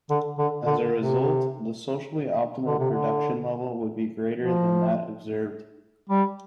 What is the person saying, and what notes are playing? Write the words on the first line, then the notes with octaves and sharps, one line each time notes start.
As a result, the socially optimal production level would be greater than that observed.
D3
D3
D3
C3
D3
C3
D3
F3
G3